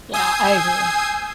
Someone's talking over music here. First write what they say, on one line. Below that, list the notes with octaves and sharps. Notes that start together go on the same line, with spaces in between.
Yeah, I agree.
G#5 D#6 E6 G6 G#6 C7